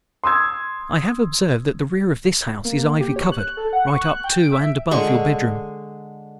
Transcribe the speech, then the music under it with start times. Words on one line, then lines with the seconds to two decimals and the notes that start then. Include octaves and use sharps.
I have observed that the rear of this house is ivy-covered right up to and above your bedroom.
0.24 C6 D#6 E6 G#6
2.65 A#3
2.77 A#3
3.00 G4
3.16 C#5
3.32 F#6
3.57 A4
3.73 F#5
3.87 C#6
4.02 F#6
4.24 G5
4.40 D7
4.52 E5
4.91 D3 G#3 C#6